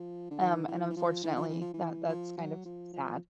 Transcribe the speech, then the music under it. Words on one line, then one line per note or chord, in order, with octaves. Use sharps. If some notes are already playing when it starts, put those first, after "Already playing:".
um, and, unfortunately, that that's kind of sad.
Already playing: F3
D3
D#3
E3
E3
F3
E3
F3
E3
F3
E3
F3
F#3
F3
F3